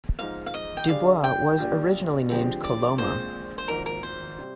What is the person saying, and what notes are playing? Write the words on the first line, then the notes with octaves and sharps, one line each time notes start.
Du Bois was originally named Coloma.
G#2 F3 G#3 D#4 F5
F5
D#5
G5
D3 G3 D4 G#4 F5
G5
A#1 A#2 G3 D4
D3 F3 G#3 C4 G4
D5
A#1 A#2 G#3 C4 C5
C5
G#1 G#2 F3 A#3 D#4 A#4
A#4
C5
C3 G3